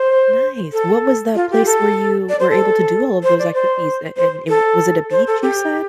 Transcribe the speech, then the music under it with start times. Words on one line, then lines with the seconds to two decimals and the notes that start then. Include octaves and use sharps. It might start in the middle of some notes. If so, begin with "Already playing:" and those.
Nice. What was the place where you were able to do all of those activities? And and it was it a beach, you said?
Already playing: C5
0.73 A4
1.35 F4
1.51 G4
1.66 A4
2.29 D5
2.40 C5
2.50 A4
3.23 C5
3.39 D5
3.54 C5
4.17 C5
4.49 A4
5.11 C5
5.27 A4
5.42 G4